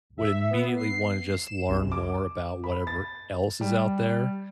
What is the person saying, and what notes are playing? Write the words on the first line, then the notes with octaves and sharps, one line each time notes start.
would immediately wanna just learn more about whatever else is out there.
E5
B3
C7
E7
C2
D6
B5
A6
G3